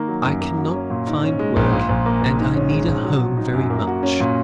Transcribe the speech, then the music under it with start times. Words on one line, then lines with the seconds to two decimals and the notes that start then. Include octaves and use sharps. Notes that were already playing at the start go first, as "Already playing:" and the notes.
"I cannot find work, and I need a home very much."
Already playing: D#3 A#3
0.08 F#3
0.25 F#2
0.41 A#3
0.58 F#4
0.74 C#4
0.90 A#2
1.07 G#2
1.24 C#4
1.39 G#3
1.56 A#1
1.72 A#2
1.89 A#1
2.06 A#3
2.22 A#1
2.38 G#2
2.55 C#4
2.71 G#3
2.88 A#1
3.05 F#3
3.20 F#4
3.37 D#4
3.53 F#2
3.70 A#3
3.87 F#4
4.03 C#4
4.20 A#2